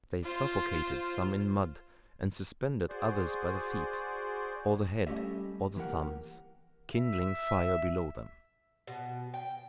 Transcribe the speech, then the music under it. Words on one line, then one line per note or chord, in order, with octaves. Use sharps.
They suffocated some in mud, and suspended others by the feet, or the head, or the thumbs, kindling fires below them.
F4 C5
F#4 G#4 C5 D5
G3 A3 C#4 G4 D#5 E5
E3 A#3 G4 A#4 F#5
E5
B2
G5